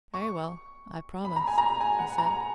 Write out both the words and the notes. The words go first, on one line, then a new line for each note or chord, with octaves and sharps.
"Very well--I promise," he said.
C#6
B5
A#5
G#5
A#5
G#5
F#5
A#5